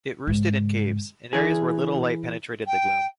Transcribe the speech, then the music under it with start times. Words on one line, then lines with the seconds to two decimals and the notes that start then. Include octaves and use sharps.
It roosted in caves, in areas where little light penetrated the gloom.
0.27 G#2 C#3
1.33 E3 G#4
2.67 G5